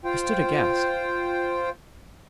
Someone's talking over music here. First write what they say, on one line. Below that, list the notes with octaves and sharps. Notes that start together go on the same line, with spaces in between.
I stood aghast.
F4 C5 G5